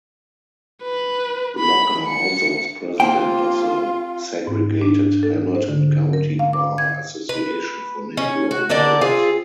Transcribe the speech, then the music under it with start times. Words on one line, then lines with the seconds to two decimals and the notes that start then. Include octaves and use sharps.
Locker also was president of the segregated Hamilton County Bar Association for Negro Lawyers.
0.83 B4
1.59 B5
2.08 C#7
3.00 F3 A#3 C4 F4 G4 G5
4.47 G#2
4.81 D4
5.23 A4
5.55 C5
5.68 D3
6.13 A#4
6.39 F5
6.53 D6
6.78 G#6
7.29 B4
8.17 C#4
8.51 F#4
8.69 D3 A#3 D4 D5
9.01 C4 F4 G#4